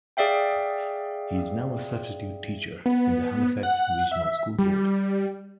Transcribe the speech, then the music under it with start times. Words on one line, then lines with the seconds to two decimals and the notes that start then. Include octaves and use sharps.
He is now a substitute teacher in the Halifax Regional School Board.
0.17 G#4 D5 E5 F5 G5
2.86 B3
3.63 F#5
4.12 E5
4.59 G3